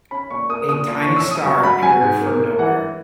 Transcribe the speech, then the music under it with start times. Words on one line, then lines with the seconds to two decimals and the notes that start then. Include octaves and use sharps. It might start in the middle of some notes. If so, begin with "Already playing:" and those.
A tiny star appeared from nowhere.
0.11 C#4 B5
0.30 A#2 C#6
0.49 A#3 D#6
0.69 A#2 D#6
0.88 A#2
1.02 C#4 C#6
1.16 E6
1.26 C#4 D#6
1.44 F#3 C#6
1.63 F#3 B5
1.82 F#3 G#5
2.01 G#2
2.21 A#3
2.40 A#3
2.59 E3 F#5